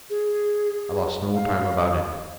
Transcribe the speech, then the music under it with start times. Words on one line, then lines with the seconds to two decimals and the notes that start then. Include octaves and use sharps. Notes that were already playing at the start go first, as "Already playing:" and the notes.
I lost no time about it.
0.10 G#4
1.35 F5